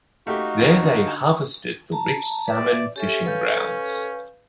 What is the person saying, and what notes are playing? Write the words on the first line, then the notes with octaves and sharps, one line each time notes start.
There they harvested the rich salmon fishing grounds.
A3 D#4 F#4 G4 F5
F2 D#3
D3
A5 A#5
B4 D5 E5
C#4 G4 A4 E5
A4 B4 F5 G6